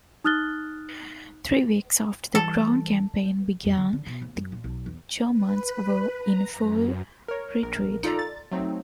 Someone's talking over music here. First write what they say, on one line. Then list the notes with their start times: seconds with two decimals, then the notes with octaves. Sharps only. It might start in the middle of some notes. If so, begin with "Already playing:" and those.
Three weeks after the ground campaign began, the Germans were in full retreat.
0.24 D#4 D#6 F6 F#6 A6 G7
2.35 E3 G3 A4
3.65 F2
3.77 D3
3.93 D3
4.07 B2
4.22 D2
4.36 F#2
4.52 A#2
4.64 B1
4.86 E2
5.30 B4
6.20 A#5
6.53 F#2
7.28 A#4 C#5
7.63 A#1 A#4
8.03 D#4 F4 A4 D5 A#5
8.19 A6
8.51 F#3 A3 C4 D#4